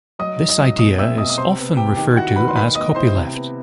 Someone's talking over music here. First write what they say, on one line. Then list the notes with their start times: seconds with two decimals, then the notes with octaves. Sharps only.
This idea is often referred to as copyleft.
0.19 F#3 D#5 D#6
0.39 D#4
0.49 D#5 D#6
0.59 F#3
0.79 B2 D#5 D#6
0.98 C4 E5 E6
1.18 B2 D#5 D#6
1.30 D#6
1.38 C3 C5 C6
1.58 B3
1.77 C3 G4 G5
1.96 D#3 G4 G5
2.16 E4 F#4 F#5
2.36 D#3 B4 B5
2.48 C6
2.55 D#3 B4 B5
2.75 B3 D#5 D#6
2.95 E4 C5 C6
3.16 C3
3.34 B3